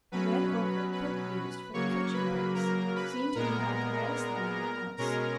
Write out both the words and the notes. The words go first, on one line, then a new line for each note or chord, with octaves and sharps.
The red ochre cook used for the kitchen bricks seemed to be about the reddest thing in the house.
B2 F#3 C#4 B4 B5
B4 B5
C#3 F#3 A#3 C#5 C#6
B4 B5
A#4 A#5
B4 B5
A#2 G#3 B3 A#4 A#5
B2 G#3 C#4 A#4 A#5